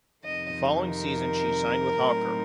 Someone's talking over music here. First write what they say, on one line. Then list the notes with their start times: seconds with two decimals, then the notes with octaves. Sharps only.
The following season she signed with Haukar.
0.24 F2 C3 D#3 D#5
0.85 A#4
2.05 A2 F#3 C4 D#4